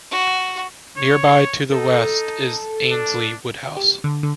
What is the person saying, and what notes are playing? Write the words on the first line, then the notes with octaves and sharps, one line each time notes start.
Nearby to the west is Annesley Woodhouse.
F#4
C#5
D#4 A4
D4
G4
D3
D3